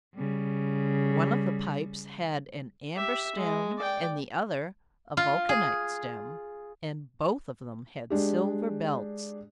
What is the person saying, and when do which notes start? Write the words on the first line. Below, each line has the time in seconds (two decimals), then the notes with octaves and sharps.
One of the pipes had an amber stem and the other a vulcanite stem, and both of them had silver belts.
0.15 C#3 G3
2.95 G4 E5
3.36 G#3
3.77 D5 G5
5.17 F4
5.49 G#4
8.10 G#3 D4 G4